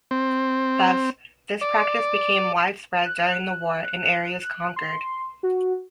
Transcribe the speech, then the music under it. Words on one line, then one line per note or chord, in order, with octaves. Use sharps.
Thus, this practice became widespread during the war in areas conquered.
C4
D5
F#6
C6
F#4